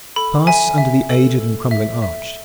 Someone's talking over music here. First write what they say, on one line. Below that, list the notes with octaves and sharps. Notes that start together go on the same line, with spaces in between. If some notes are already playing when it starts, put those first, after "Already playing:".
Pass under the aged and crumbling arch.
A4 B5
E5 G#5
E5
A4
A4
E5
E5